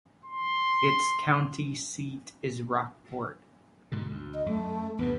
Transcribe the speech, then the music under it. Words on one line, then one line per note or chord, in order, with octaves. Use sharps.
Its county seat is Rockport.
C6
G#2 B2 D3
D2
D#5
F#2 A3
E2 G2 C3 B3